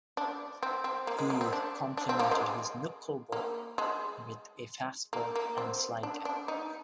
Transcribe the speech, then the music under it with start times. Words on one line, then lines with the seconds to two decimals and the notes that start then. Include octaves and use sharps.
Hough complemented his knuckleball with a fastball and slider.
0.17 D4
0.63 C4
0.84 C4
1.07 A#3
1.18 G#3
1.30 A#3
1.41 C4
1.53 D4
1.97 D4
2.09 C4
2.19 A#3
2.31 G#3
3.32 A#3
3.78 G#3
5.13 A#3
5.35 A#3
5.58 C4
6.03 D4
6.25 D4
6.48 D#4